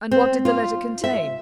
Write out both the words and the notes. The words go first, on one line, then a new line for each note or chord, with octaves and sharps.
"And what did the letter contain?"
C4
F4
E5